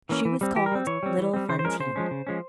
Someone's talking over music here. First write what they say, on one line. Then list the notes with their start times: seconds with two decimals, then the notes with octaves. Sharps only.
She was called little Fantine.
0.09 E3 A#3 C#4
0.25 E3
0.41 G3 C4
0.56 E3 G4
0.66 A#4
0.72 G3 C4
0.87 E3 C#5
1.03 G3 C4
1.18 E3
1.34 G3 C4
1.49 C#3 C5
1.59 C5
1.64 F3 G#3 C#4 A#4
1.80 C#3 C5
1.96 F3 G#3 C#4
2.11 C#3
2.27 F3 G#3 C#4